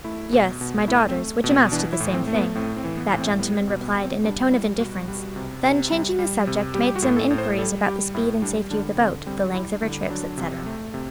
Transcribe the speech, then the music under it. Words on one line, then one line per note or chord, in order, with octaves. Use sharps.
"Yes, my daughter's, which amounts to the same thing," that gentleman replied in a tone of indifference; then changing the subject, made some inquiries about the speed and safety of the boat, the length of her trips, etc.
A3 E4
B2
B2
A3 E4
C4
A3
B2
C4
E3 D4
E4
A2
C4
A3
B3
A2 C4
C4
E3
B3
A2
C4
G3 B3
C4
B2
B3
B2
C4
G3 D4
G3 E4
B2 F#4
G3
C3
C3
G3
G3
C3
G3 G4
G4
F#4
A2
A4
A2
C5
G3 A4
G3 G4
A2 E4
G3 D4
D3 D4
D3 C4
G3 C4
G3 E4
D4
D3 E4
F#3 D4
C3
A3
C3